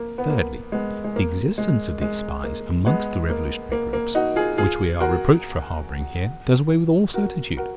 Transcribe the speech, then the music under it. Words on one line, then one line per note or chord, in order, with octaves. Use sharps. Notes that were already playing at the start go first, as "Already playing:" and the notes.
Thirdly, the existence of these spies amongst the revolutionary groups, which we are reproached for harbouring here, does away with all certitude.
Already playing: A#3
B3
A#3
G#3 B3
G#3
A#3
G#3
G#3
A#3
G#3 B3
A#3
A#3
A#3
D#4 F#4
F4 G#4
F4 G#4
F#4 A#4
F#4 A#4
F#4 A#4